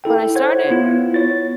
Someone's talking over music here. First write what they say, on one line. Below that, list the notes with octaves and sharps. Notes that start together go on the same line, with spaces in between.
but I started
E4 A4 G5
C5 C#5 F#5 G#6
B3 E4 F4
C#5 A6